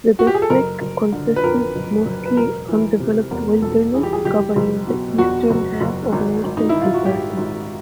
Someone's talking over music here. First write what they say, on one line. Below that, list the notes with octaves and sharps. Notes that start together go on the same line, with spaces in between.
The district consisted mostly undeveloped wilderness covering the eastern half of northern Alberta.
F#4
G4
G#4
A4
F#1 A#4
F#1
D3
B4
F2 A#4
F#1
F#1
B4
E1 A#4
E3
C3
E2 A#4
E1 A4
E3 G#4
G4
G#4
F#1 G4
F#1
B2
E2 F#4
F#1
F#1
G#1
G#1
D#4
E4
D#3
F4
F#4
G#2 G4
G#1